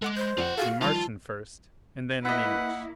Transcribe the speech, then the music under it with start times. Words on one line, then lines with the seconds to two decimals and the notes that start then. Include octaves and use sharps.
In Martian first, and then in English.
0.02 G#3 A4 F#5 D6
0.17 C5 B5 G6
0.37 F2 C4 F4 D5 F#5
0.57 F#4 G#4 A4 F5
0.81 D#3 F3 G3 F4 A5
2.25 A#3 E4 B4 D#5 E5 F#5